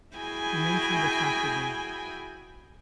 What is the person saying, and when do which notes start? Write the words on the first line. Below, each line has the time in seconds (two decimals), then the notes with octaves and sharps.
He mentioned the fact again.
0.17 E4 F#4 G#4 G5 G#5 B5